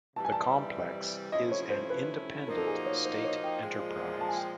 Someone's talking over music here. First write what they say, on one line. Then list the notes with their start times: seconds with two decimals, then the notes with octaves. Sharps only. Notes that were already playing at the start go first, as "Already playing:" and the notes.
The complex is an independent state enterprise.
0.16 C3 E3 G3 A5
0.25 G#5
0.32 A5
1.32 C3 F3 A3 C#4 E4 D#5
1.52 C#5
1.70 C5
1.90 B4
2.47 A#2 F3 A#3 D#4 F#4 A#4
2.57 A4
2.67 G#4
2.86 C#5
3.05 C5
3.24 C#5
3.44 G5
3.63 A#2 F3 G#3
4.21 A5
4.29 G#5
4.36 G5